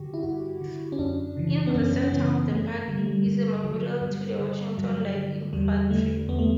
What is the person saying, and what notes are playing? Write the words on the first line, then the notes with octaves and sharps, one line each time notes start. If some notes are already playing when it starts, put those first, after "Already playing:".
In the center of the park is a memorial to the Washington Light Infantry.
Already playing: G2 D3 F#4 G4
E4
G2 F#4
D3
C#4
F#2 D4
C#3 E3
B3
F#2 C#4
C#4
C#3 E3 B3
G2 A3
D3 G3
A3
G3
G2 G3
D3 F#3
G2 G3
D3
G2 F#3
D3
E2 G3
D3 A3
E2 B3
A3